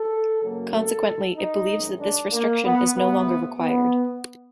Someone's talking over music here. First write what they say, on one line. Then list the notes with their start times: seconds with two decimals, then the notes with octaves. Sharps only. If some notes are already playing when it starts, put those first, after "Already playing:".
Consequently, it believes that this restriction is no longer required.
Already playing: A4
0.40 F#2 C#3 F#3 A#3
0.73 A4
1.36 D#4
1.69 F#2 D#3 G#3
2.00 D4
2.32 A#3
2.64 B3
2.95 C3 F3 A3 B3
3.58 B3